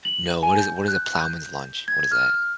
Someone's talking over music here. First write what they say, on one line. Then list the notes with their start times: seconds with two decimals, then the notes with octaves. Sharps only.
No, what is what is a ploughman's lunch? What is that?
0.05 F#7
0.43 G#5
0.58 G6
0.88 F#6
1.21 G6
1.88 G#6
2.11 F6